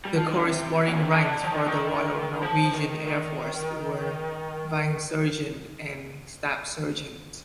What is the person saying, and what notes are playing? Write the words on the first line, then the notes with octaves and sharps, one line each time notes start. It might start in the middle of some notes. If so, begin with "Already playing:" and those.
The corresponding ranks for the Royal Norwegian Air Force were "vingsersjant" and "stabssersjant".
G3
F3
D#3
D3
C3
A#2
C3
D3
F3
D#3
D3
D#3
F3
D#3
D#3